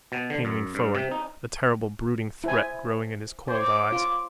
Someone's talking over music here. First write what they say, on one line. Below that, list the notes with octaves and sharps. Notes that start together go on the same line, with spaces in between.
Kane leaned forward, a terrible brooding threat growing in his cold eyes.
B2
D3
F#2
G2
C3
D#4
E4 C5 G#5
C5 C#5 D6
F4